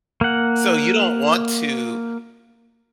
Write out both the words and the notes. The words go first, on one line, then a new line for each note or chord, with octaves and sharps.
so, you don't want to,
A#3 F#5